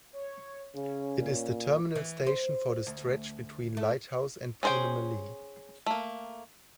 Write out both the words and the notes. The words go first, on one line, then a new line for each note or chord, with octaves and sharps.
It is the terminal station for the stretch between Lighthouse and Poonamallee.
C#5
C#3 C#4
A#2
E3
C5
D2
A3
C#4 G#4 C5 D5 G5
A3 A#3